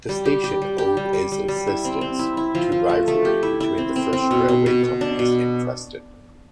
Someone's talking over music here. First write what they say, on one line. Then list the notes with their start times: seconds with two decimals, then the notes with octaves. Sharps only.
The station owed its existence to rivalry between the first railway companies in Preston.
0.09 G3
0.25 G4
0.44 G4
0.62 G3
0.78 G4
0.97 G3
1.13 G3
1.32 G3
1.48 G3
1.67 E4
1.85 C4
2.01 C4
2.19 E4
2.37 E4
2.55 F3
2.72 F3
2.89 A3
3.08 A3
3.25 G4
3.43 E4
3.60 E4
3.78 C4
3.96 C4
4.13 C4
4.31 B2
4.48 B2
4.66 B2
4.84 B2
5.01 D4
5.19 B2